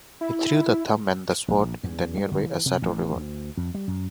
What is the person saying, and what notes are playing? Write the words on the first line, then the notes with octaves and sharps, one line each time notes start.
He threw the thumb and the sword in the nearby Asato River.
E4
A#1
E2
G3
G1
E3
C3
A1
D2
F2
G3
F#2